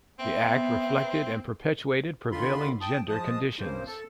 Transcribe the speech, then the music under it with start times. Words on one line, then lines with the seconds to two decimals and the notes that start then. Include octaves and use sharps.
The act reflected and perpetuated prevailing gender conditions.
0.19 B3 C4 E5
2.32 D#2 D3 F4 B5 C6
2.81 G5 A5 D#6
3.08 F3 G#3 A5 D#6
3.59 G2 C#3 A#3 C5
3.86 A4